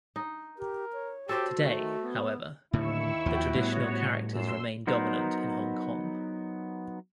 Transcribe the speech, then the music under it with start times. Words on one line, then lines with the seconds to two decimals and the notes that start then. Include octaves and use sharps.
Today, however, the traditional characters remain dominant in Hong Kong.
0.16 D#4
0.58 G4 A#4
0.93 C#5
1.29 F#4 G4 A4 C5
1.58 D#3 A3
2.01 B3
2.73 D#2 A2 D3 E4 C#6 E6
3.26 D#2 F3 F#4 G5
3.55 A2 G3 B3 F#4 C#5
4.33 F#2 C6 E6
4.87 F#3 B3 D#4 A#4 C5